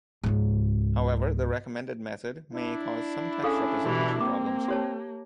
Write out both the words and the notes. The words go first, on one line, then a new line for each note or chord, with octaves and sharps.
However, the recommended method may cause some text representation problems.
C#2 G#2
D4 E4
C#4 G#4 A4 F5
B2 E3 G4
A#3 C4 D6
G4 C#5 A5